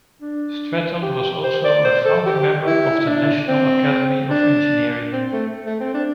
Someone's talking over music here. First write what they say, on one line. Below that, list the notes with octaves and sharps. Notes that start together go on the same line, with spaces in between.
Stratton was also a founding member of the National Academy of Engineering.
D4
G4
C5
D5
C5
A4
G4
E4
E4
D4
C4
D4
C4
A3
A3
C4
D4